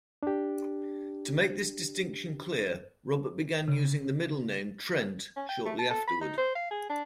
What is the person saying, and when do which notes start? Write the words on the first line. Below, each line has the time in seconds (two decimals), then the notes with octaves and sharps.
To make this distinction clear, Robert began using the middle name "Trent" shortly afterward.
0.23 D4 G4
3.68 C#3
5.36 C#4
5.49 G5
5.65 A3
5.79 A5
5.90 A4
6.08 B5
6.21 D#4
6.38 C5
6.55 F5
6.71 G#4
6.90 D4